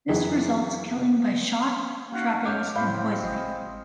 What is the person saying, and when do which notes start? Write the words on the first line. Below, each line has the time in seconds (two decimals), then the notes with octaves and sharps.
This results killing by shot, trappings, and poisoning.
0.09 F#2 E3 G#4
2.12 A#3 C#4 D#4 F#4 F5 F#5
2.45 C#5 D#5 F5 D6 G6
2.76 A2 C4 F5 B5 G6
3.23 G#1 G#3 D#6